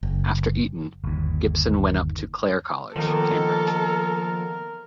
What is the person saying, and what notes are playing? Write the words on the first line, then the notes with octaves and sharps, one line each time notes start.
After Eton, Gibson went up to Clare College, Cambridge.
F#1
G1 D#2
D#3 F3 A#3 B3 A4 A#4